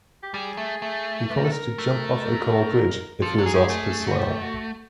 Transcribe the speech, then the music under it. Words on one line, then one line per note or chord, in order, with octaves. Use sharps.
He promised to "jump off O'Connell Bridge" if he was asked to smile.
G4
G3 G#4
A3
A3
B4
A#4
A4
A#4
A3
F3 A4
F#3
G#4
G#3 G4
A3 G#4
F#4
G4
F#4